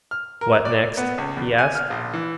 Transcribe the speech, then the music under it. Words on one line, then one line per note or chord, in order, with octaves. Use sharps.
"What next?" he asked.
F6
A#4
D5
B3
C#2
E2
G#5
F6
A#1
E3